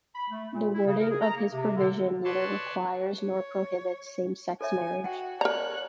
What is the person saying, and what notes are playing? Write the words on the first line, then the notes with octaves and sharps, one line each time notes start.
The wording of this provision neither requires nor prohibits same-sex marriage.
B5
A3
A#2
E4
C#3
A#4
G#4
A#5
A#3
C3
D3
B4 C#5 D5 A5 C6
C#5
A4 C#5 E5 G#5
F#4 F#5 G5
A#4 C#5 D5 A#5 F#6